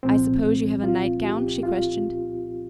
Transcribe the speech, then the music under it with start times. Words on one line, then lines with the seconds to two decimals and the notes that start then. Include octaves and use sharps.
"I suppose you have a nightgown?" she questioned.
0.03 C2 A#2 F3 C4
0.83 F4
1.24 G4
1.63 F4